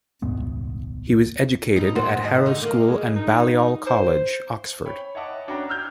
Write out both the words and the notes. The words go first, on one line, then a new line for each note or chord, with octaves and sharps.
He was educated at Harrow School and Balliol College, Oxford.
D#1 C2 G#2 B3
G2 D#4
A#2 F#4 C5
G#2 D#3 D#5
D3 D#4
A#3
G#3
D#4
C5
C#5 G5 B5
C#5 D#5 E5 F#5 A5 D6
C#4 D4 F#4 C#5 G5 A#5
E6 F6 G6 G#6